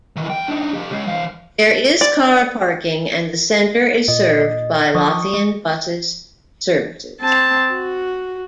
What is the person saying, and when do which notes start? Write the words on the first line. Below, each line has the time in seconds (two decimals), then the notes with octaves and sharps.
There is car parking and the centre is served by Lothian Buses services.
0.16 D#3 E3
0.30 E2 G5
0.48 D4 D#4
0.73 F3 G4
0.90 C#3 G#3
1.06 E3 F5
2.01 D5
4.08 A#2 D#5
4.95 F3 C#6 D#6
5.34 G#3
7.21 C4 A5
7.72 F#4